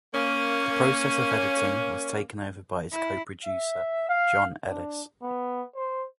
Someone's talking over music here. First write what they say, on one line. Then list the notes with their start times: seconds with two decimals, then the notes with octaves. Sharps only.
The process of editing was taken over by his co-producer John Ellis.
0.14 A#3 C#4
2.92 E4
3.45 E5
4.09 F5
4.68 D4
5.22 B3
5.75 C5